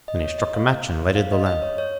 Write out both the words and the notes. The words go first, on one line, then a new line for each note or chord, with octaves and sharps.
Then he struck a match and lighted the lamp.
D#5
C#5
D#5
F5
F5
D#5
D#5
C#5
C#5